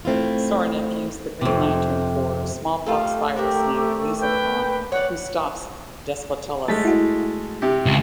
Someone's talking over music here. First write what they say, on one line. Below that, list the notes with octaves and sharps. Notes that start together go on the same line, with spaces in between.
Soranik used the Green Lantern Corps smallpox virus named Leezle Pon, who stops Despotellis.
A3 C4 E4 F4
F2 C3
G3 A3 F4 A4
C4 D4 G4 A#4
B4 G5
C#5 D5 F#5
G#3 A3 A6 B6
E4 F#4
C3 G4
C#2